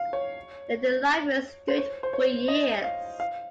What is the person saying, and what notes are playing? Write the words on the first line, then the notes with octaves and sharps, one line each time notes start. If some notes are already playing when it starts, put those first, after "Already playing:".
There the library stood for years.
Already playing: F5
C#5
C5
C#5
C5
C#5
D#5
F5
F5